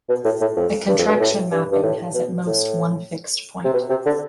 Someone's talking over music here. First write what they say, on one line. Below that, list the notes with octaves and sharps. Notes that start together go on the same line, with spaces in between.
A contraction mapping has at most one fixed point.
B2
A2
A2
F2
G2
F2
G2
B2
A2
G2
G2
A2
B2
A2
C3
B2
C3
D3